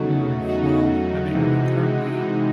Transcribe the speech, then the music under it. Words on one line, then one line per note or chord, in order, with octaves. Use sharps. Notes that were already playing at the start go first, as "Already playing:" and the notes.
Hmm, well, I mean I mean, currently,
Already playing: E2 C#3 F#3 A3 D#4 F#4
D#4 F#4
C3 E3 G#3
D#4 F#4